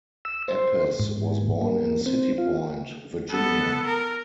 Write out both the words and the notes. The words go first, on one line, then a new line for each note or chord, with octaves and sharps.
Eppes was born in City Point, Virginia.
E6
C5
G#2
A#3
C4
F4
B3 A4
A#4